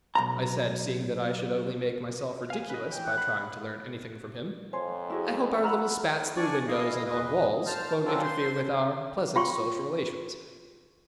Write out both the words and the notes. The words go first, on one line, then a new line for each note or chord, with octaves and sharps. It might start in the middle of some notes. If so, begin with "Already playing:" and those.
I said, seeing that I should only make myself ridiculous by trying to learn anything from him, “I hope our little spats through windows and on walls won’t interfere with our pleasant social relations.
B1 A#5
F5 G#5
B4 D#5
E3 G5
F#5
B5
F2 C5 C#5 G#5 C6
E4 F#4 G#4
F#5 A#5 B5 E6 F6
D4 D5 G#5 C#6
E4 D#5 F5
E2 B4 D#5
C5 A5 F6
E3 F#3 C4 D4 F4 A4
C5 C6
F4 G5 C6 C#6